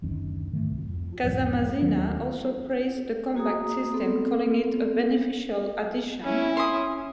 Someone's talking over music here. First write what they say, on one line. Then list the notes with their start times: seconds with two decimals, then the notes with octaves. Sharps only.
Casamassina also praised the combat system, calling it "a beneficial addition".
0.02 F#1 D2 D#3 C#4
0.52 G#2 D#3 A3
0.68 C2
0.87 F2
1.22 B1 E2 G#2 F3
1.81 D#2 D#3 F#3 B3
3.35 A#3 F#4 G#4 A#5 D#6
3.94 B3 C4 A4
6.24 C#4 E4
6.57 C#4 C6 D#6